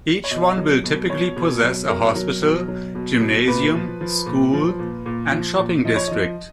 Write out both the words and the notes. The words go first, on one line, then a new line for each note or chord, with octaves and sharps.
Each one will typically possess a hospital, gymnasium, school, and shopping district.
C#5
B2 D#5
F#3
B2
B2 C#5
B2
F#3
B2 A#4
F#3
B2
F#3
B2
B2
A#2 B4
F3
F3
A#2
F3
A#2
A#2
F3
A#2
F3 D#5
C#5
F3 D#5